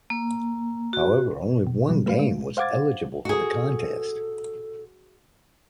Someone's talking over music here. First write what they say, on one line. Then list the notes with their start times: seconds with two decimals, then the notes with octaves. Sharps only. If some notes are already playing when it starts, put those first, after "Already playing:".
However, only one game was eligible for the contest.
0.10 A#3
0.93 F#4
1.67 B2
1.89 B2 F#3 G3
2.06 A3 B4 F5
2.19 G#3
2.57 C5 F5 F#5 D6 G#6 A6
3.25 F#4 G#4 A4